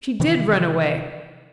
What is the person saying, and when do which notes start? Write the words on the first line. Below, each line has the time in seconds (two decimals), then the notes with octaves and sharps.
She did run away.
0.20 C3 D#3 E3